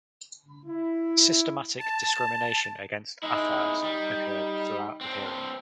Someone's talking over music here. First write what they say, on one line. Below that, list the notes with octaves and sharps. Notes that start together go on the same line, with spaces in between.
Systematic discrimination against Afars occurred throughout the period.
E4
A5
G#3 D#4 E4
G3
C4 D4